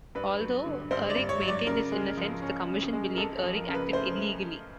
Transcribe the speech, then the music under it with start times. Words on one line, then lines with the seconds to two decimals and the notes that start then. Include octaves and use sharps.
Although Uhrig maintained his innocence, the Commission believed Uhrig acted illegally.
0.15 G2 B4
0.41 F#3
0.66 D3
0.91 G2 C5
1.10 D5
1.16 G2
1.29 C#5
1.41 F#3
1.48 D5
1.67 C#3 A#4
1.92 G#3
2.17 F3
2.42 C#4
2.68 C#3
2.93 G#3
3.14 A#4
3.18 F2 A4
3.37 A4
3.43 F3
3.55 A#4
3.68 C#3 A#4
3.75 B4
3.93 A3 C5